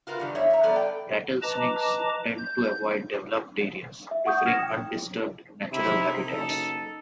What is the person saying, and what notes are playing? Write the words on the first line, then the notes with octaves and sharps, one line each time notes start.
Rattlesnakes tend to avoid developed areas, preferring undisturbed, natural habitats.
F4 F#4 A#4 B4
G2 D#3 G3
E2 C#5 E5
E5 A#5
F3 G3 B3 A4 D5
G5
B4 D#5 A5 A#5 D6
G6
E5
F#5 C#6 D#6 G6
F6 G#6 A#6 C#7 E7
G5 D#6
C3 D#4 E4
F#1 A4